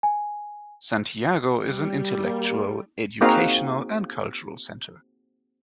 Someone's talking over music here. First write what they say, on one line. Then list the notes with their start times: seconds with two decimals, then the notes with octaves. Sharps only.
Santiago is an intellectual, educational, and cultural center.
0.03 G#5
1.59 G3
2.23 A#3
3.21 A#3 C4 D#4 F#4 G#4 F5